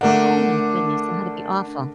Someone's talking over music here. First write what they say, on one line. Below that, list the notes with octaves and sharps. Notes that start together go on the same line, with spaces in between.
Oh my goodness, that had to be awful.
D3 A3 D4 A#4 F#5